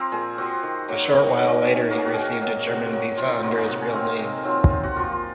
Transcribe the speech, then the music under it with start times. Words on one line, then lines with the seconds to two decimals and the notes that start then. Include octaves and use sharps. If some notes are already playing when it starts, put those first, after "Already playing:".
A short while later he received a German visa under his real name.
Already playing: F3 C4 A#4
0.12 A#2 G#4
0.38 F3 C4 F#4
0.63 D#3
0.88 F#3 A#3
1.14 D#3
1.39 F#3 A#3
1.65 D#3 G#4
1.90 F#3 A#3 A#4
1.98 G#4
2.05 F#4
2.13 D#3 G#4
2.41 F#3 A#3
2.66 C3 F#4
2.92 F#3 A#3
3.17 C3 F4
3.28 D#4
3.39 F#3 A#3 F4
3.56 G#4
3.68 C3 F#4
3.81 G#4
3.94 D#3 F#3 C4 F5
4.07 F5
4.19 C3 D#5
4.44 D#3 F#3 C4 F4
4.70 C3 F4
4.83 F#4
4.95 F3 A#3 F4